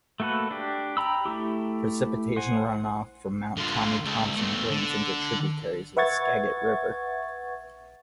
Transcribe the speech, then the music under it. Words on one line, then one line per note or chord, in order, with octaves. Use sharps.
Precipitation runoff from Mount Tommy Thompson drains into tributaries of the Skagit River.
A3 A#3 F#4 A4 B4
D4 G4
G5 A#5 B5 E6
A3 E4 G4
C5 F#5 G#5
D3 F4
C#2
E2 A3
D3
B4 E5 F#5 C#6 G#6 A6